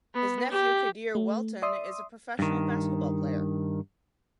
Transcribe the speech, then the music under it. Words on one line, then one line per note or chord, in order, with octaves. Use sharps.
His nephew, Quadir Welton, is a professional basketball player.
B3
G4
A3
D5 E5 C6 D#6
G2 D#3